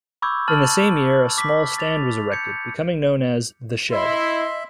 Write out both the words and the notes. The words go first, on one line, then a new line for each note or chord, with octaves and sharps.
In the same year a small stand was erected, becoming known as 'the Shed'.
B5 C#6 D6 E6 G6 G#6
A5 F6 A6 F#7
D6 B6
A6 F7
G6 G#6 C#7
E4 D#5 E5 C6